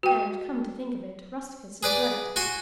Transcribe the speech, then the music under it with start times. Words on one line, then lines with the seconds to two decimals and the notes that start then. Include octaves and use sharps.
And come to think of it Rusticus is right.
0.03 F#4 G5
1.83 G#4 B4 D5
2.36 F#4 G#5 C6